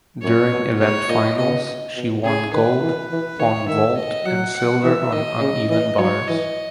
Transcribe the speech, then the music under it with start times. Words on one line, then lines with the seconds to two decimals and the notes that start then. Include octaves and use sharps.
During event finals she won gold on vault and silver on uneven bars.
0.22 F#2 C#5
0.52 B2
0.80 G#2 C#5
1.08 A#2 D#5
1.38 B2 D#5
1.95 B2
2.23 C#3 G#4
2.52 D#3 B4
2.82 E3
3.11 E3
3.39 D#3 C#5
3.68 D#3 E5
3.97 D#5
4.25 F#3 F#5
4.54 F#5
4.83 E3 E5
5.11 D#3 D#5
5.40 C#3
5.69 E3 D#5
5.98 F#3 C#5
6.27 E3 D#5